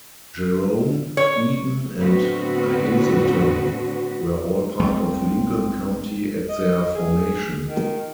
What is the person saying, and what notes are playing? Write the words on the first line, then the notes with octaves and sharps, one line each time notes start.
Jerome, Eden, and Hazelton were all part of Lincoln County at their formation.
C#5
A2 D3 B3 C4 F#4 B4
B1 G3 A3 C4
D#5
G#4
D#3